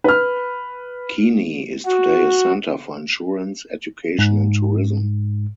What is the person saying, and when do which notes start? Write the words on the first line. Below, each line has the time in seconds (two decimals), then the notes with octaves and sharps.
Keene is today a center for insurance, education and tourism.
0.04 B4 F6
1.86 F#4
4.19 G#2